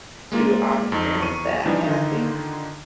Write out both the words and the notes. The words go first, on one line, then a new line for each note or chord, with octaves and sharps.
to, um, experience that, and I think
G#3 A#3 F4
F2 D#4
E2 C#6 D#7
E3 F3 G3 D4 D#4
D3 D#3 D#4 F4